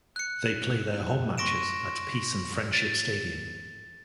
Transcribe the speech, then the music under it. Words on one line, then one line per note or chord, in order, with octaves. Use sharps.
They play their home matches at Peace and Friendship Stadium.
F#6 C#7
C6 C#6 A#6 D7 E7
A6